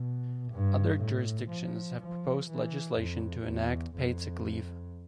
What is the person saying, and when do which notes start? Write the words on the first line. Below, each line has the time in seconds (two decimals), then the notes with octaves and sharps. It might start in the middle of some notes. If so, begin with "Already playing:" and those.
Other jurisdictions have proposed legislation to enact paid sick leave.
Already playing: B2
0.52 G2
1.01 A2
1.50 F3
2.00 F3
2.49 E3
2.97 F2
3.47 E2
3.96 F2